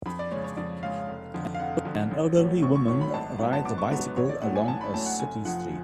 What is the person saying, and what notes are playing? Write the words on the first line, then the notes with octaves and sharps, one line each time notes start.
An elderly woman rides a bicycle along a city street.
F2 B5
D5
C#3 G#3 C#5
C#5
F2 D5
C#3 G#3 F5
F1
F2 D3
F5
F1 F#5
F2 D3
A1
A2 F#3 A3 C#4
A1 C#6
C#6
A2 F#3 A3 C#4 C#6
B5
G#1 A5
G#2 F#3 B3 F#5
A5
G#1 D6
C#6
G#2 F#3 B3 F#5
A1 C#5
D5
A2 F#3 A3 C#4 F#5
G#5
A1 A5
B5
A2 F#3 A3 C#4 A5
F#5
F1 G#5
F2 F3 F#5